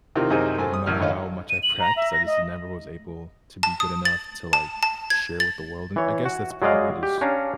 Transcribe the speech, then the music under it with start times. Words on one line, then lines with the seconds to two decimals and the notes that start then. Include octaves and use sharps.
no matter how much I practice, I just never was able to be good enough to, like, share with the world and I guess that's probably just
0.16 C3 D#3 E3 F4 A#4
0.30 F#2 C3 D#4 G#4 A#4 C5
0.58 F#2 C4 A4 G#5
0.74 D#6
0.86 A1 F#2 F6
1.00 G#1 D3 C#5 D#5 F5
1.50 D#7
1.63 F#7
1.80 A#5
1.96 E5
2.13 A#6
2.27 D#5
3.63 A5
3.80 D#6
4.05 A6
4.53 A5
4.83 A5
5.10 G#6
5.40 A6
5.96 E3 C#5
6.25 F#4
6.62 F#3 G#3 D5 D#5 F5
7.03 G4
7.21 C#4 D4 F5 A#5